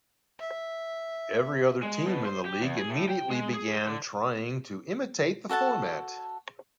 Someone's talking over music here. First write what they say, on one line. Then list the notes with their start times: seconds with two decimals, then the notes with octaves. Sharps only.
Every other team in the league immediately began trying to imitate the format.
0.40 E5
1.82 G#3
2.06 B2
2.25 C5
2.45 G4
2.61 E2
2.77 G#4
2.90 A2
3.08 G5
3.29 G#3
3.53 G#4
3.73 C5
3.87 D3
5.49 F#4 A4 F#5 A5